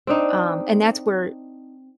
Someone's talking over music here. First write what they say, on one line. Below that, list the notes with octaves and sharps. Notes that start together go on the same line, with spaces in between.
Um, and that's where
C4 D4 D#4